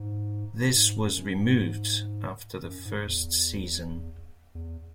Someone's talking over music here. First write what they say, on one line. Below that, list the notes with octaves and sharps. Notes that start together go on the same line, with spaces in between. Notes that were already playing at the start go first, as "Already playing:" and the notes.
This was removed after the first season.
Already playing: G#2
G#2
F#2
G#2
F#2
G#2
E2
E2